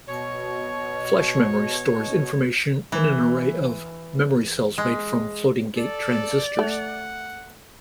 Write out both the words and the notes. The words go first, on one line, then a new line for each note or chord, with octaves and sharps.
Flash memory stores information in an array of memory cells made from floating-gate transistors.
B2 C#5
E3
G#3
A4 D5
A3 F#5